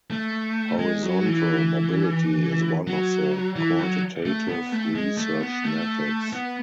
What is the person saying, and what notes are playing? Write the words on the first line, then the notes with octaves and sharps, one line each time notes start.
Horizontal mobility is one of the quantitative research methods.
A3
G#3
F#3
E3
F#3
E3
F#3
A3
B3
A3
G#3
A3
B3
A3
B3